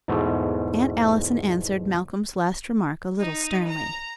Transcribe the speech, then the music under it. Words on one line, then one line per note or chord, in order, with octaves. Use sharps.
Aunt Allison answered Malcolm's last remark a little sternly.
E2 G#2 B2 A3
D#4
A#5